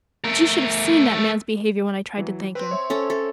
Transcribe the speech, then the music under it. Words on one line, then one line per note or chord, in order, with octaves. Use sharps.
But you should have seen that man's behavior when I tried to thank him.
A3 A#4
E3 F#3
C4 B4
C#5 E5
C#4 A4
A4